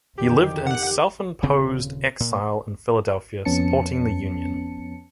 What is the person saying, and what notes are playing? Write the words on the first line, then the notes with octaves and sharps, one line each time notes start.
He lived in self-imposed exile in Philadelphia, supporting the Union.
F2 D3 D#3 G4
F#5
D#1 C#3 C4
A#2
F2 B3 C#4 A5 C#7